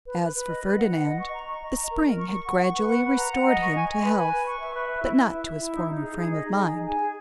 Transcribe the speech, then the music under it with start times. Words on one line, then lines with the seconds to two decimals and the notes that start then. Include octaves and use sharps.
As for Ferdinand, the spring had gradually restored him to health, but not to his former frame of mind.
0.06 B4
0.20 B4
0.34 B4
0.49 D#5
0.63 B4
0.77 F#5
0.91 F#5
1.05 D#5
1.20 C#6
1.33 A#5
1.48 C#6
1.61 D#5
1.76 A#5
1.90 A#4
2.05 A#4
2.19 C#6
2.32 C#6
2.47 F#5
2.61 C#6
2.76 B4
2.89 F#5
3.03 B4
3.17 A#5
3.32 F#5
3.46 D#5
3.60 C#6
3.75 G#5
3.89 G#5
4.03 B4
4.17 G#5
4.32 B4
4.46 C#6
4.60 E5
4.74 B4
4.88 E5
5.02 E4
5.15 E4
5.30 E5
5.44 E5
5.58 E4
5.73 D#4
5.87 D#4
6.01 G#4
6.15 G#4
6.29 D#5
6.43 D#4
6.58 G#4
6.72 D#4
6.86 G#5
7.00 G#4